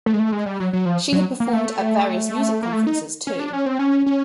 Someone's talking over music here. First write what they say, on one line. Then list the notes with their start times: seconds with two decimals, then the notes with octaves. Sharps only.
She had performed at various music conferences too.
0.06 A3
0.14 G#3
0.19 A3
0.32 G#3
0.46 G3
0.60 F#3
0.73 F#3
0.86 F3
1.12 F#3
1.40 A#3
1.53 A3
2.63 A#3
2.73 A3
2.87 D#4
3.27 C#4
3.40 D4
3.53 C#4
3.66 C4
3.79 C#4
4.06 C#4